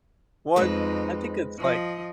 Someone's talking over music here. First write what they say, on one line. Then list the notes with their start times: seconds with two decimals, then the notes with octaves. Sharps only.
Well it's I think it's, like
0.56 F2 G#3 C4 D#4 B4
1.59 F3 D#5